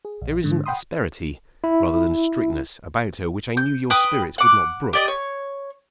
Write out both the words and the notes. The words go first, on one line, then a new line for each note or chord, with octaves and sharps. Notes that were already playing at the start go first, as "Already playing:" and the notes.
There is an asperity, rather than strictness, about her which I knew your spirit would not brook.
G#4
A#1
G#2 D3
F#5 G5 B5 C6 D#6
E4
G6
B4 G5 D#6
F#5 D6
G4 D5 D#5
C#5